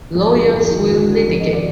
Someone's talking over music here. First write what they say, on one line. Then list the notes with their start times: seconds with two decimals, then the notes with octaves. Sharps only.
Lawyers will litigate.
0.15 F2 F#4
0.34 D3 G#4
0.44 A#4
0.53 F2 G#4
0.71 D#3 F#4
0.89 D2 F#4
1.09 D3 F#4
1.28 F2 A#4
1.40 D#5
1.46 D#3
1.53 D5